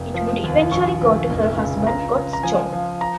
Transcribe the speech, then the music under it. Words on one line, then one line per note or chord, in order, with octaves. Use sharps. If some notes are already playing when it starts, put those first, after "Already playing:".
It would eventually go to her husband Gottschalk.
Already playing: F1
F3
D#2
A#1 C#6
A#1
F1
C#3
C#2 A#5
C#2
A#5
F3 G#5
F3
A#5